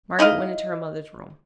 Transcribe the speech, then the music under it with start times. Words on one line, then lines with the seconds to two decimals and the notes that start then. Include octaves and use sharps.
Margaret went into her mother's room.
0.19 D#4 E4 D#5 F5